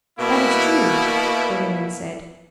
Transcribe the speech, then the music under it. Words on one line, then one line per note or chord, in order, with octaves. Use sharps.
"That is true," the women said.
B2 A#3 E4